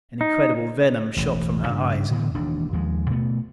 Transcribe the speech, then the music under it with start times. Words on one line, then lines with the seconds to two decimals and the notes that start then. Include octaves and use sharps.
An incredible venom shot from her eyes.
0.21 D#4
1.17 E1 A1
1.67 G2 C#3 D4
2.11 A2 D3 E3 B3
2.34 E1 D#2 D4
2.73 D#2 F3 F#3 G#3
3.10 B2 A3 B3